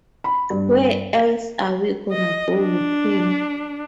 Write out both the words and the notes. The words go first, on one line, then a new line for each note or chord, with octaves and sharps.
Where else are we gonna go with him?
B5
G2
D#5
D4